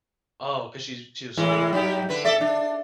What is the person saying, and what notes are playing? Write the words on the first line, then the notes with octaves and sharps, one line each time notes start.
Oh, 'cause she's she was skiing 'cause she was skiing?
A2 E3 G#3
F#3 D#4 G4
D3 B4
A4 D5 E5
D4